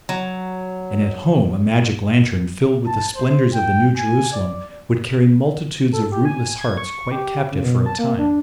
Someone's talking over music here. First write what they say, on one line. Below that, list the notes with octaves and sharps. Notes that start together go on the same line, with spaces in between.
And at home a magic-lantern filled with the splendours of the New Jerusalem would carry multitudes of rootless hearts quite captive for a time.
F#3
A5
C5
G5
G#5
D5
A4
G4
G#5
G#6
C#6
G4
C#3
B2
A5
A#3
D4